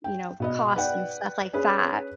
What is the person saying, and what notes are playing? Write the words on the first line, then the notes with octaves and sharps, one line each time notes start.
you know, cost and stuff like that.
G5
B2 B3 D#5
B4 D5 F#5 G5
C#4 G#4 B4